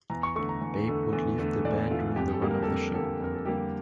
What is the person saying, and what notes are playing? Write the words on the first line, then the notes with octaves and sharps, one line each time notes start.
Babe would leave the band during the run of the show.
E2 A#5
C#6
D3 A3 C#6
A#5
E2
D3 A3
E2
D3 A3
E2 D5
D3 A3 F4
F2 G4
A4
D3 G3 A#3
A#4
A4
F2 A#4
D3 G3 A#3 A4
F2 A#4
A4
D3 G3 A#3 G4